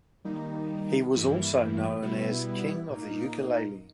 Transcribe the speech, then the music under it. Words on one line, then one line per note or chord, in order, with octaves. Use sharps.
He was also known as "King of the Ukulele".
D#3 G3 A#3 D#4
G2 E3 G3 A#3 E4
B2 G3 B3 E4
A#2 A#3 D#4